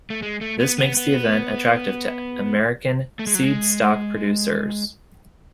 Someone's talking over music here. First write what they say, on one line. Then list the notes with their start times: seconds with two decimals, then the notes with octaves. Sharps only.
This makes the event attractive to American "seedstock producers".
0.10 A3
0.22 G#3
0.41 A3
0.60 B3
0.78 B3
0.97 B3
3.19 A3
3.27 G#3
3.35 F#3
3.43 G#3